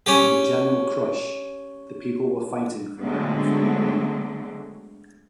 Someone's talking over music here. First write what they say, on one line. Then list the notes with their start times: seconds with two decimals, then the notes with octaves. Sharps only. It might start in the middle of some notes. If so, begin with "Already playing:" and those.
In the general crush the people were fighting for a handful of grain.
0.06 C#4 G4
3.02 D3 F#3 G#3 A3 B3 C4